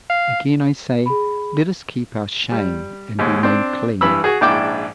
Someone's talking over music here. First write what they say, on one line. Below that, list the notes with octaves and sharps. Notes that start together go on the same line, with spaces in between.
Again I say, let us keep our shame and be made clean!
F5
G#4 B5
G3
D#2 G#2
C4 D4
G2 E3 B5 E6
F#4 G#4
A#1 G#2 D4 E4 G5 D6